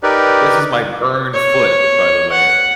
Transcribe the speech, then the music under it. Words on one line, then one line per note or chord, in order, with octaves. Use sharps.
this is my burned foot, by the way.
D#4 G4 A#4 B4 D5
C#5
F#5